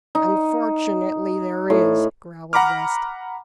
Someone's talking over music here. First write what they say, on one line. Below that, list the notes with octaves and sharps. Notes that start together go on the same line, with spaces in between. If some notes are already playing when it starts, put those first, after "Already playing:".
"Unfortunately there is," growled West.
D#4
A2
F#5 A#5 B5 D6 F6